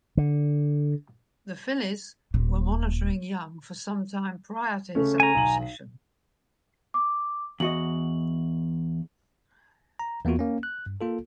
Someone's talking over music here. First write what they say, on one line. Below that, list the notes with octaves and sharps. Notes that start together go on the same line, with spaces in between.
The Phillies were monitoring Young for some time prior to his acquisition.
D3
D#1 A#2
C#3 A3 C#4
G#5 A#5
B1 F#7
D6
E2 F#4 D#5 F#7
A#5
E2 A#3 B3 F4 F#4
A#3 C#4
F#6
G2
A#3 F4 A4